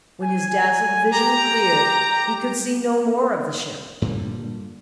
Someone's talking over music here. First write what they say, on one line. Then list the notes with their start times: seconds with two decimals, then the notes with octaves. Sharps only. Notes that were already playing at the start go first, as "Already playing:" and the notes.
When his dazzled vision cleared, he could see no more of the ship.
0.23 G#5
1.13 G4 A#5
4.02 G2 A#2 D3 G3